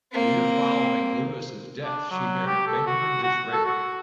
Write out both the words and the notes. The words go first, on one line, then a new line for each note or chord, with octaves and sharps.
The year following Lewis's death she married Benjamin Disraeli.
A#3 C4
D4
F#3
G4
A4
F#4
F#4
A4
F#4